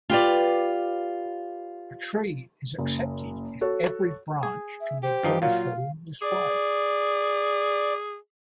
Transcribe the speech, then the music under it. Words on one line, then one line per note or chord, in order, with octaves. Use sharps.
A tree is accepted if every branch can be gone through this way.
F4 G4 B4 D5
F#1
F#4 A4 C#5
G#4
E5
G4 C5
G2 F3 D#4
A#2 F#3 F4 F5
G#4 D5